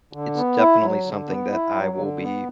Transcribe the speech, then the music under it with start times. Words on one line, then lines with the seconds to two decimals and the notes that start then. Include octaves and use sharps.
it's definitely something that I will be
0.13 D3
0.36 B3
0.59 E4
0.82 F#3
1.06 D3
1.28 B3
1.52 E4
1.75 F#3
1.98 D3
2.21 B3